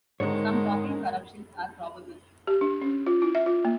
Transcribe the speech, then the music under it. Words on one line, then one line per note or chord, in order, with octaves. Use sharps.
Some copying corruptions are probable.
G#2 D3 D#3 G#3 C4 D#4 C#5
G4
D4
C#4
F4
E4
E5
F4
A#3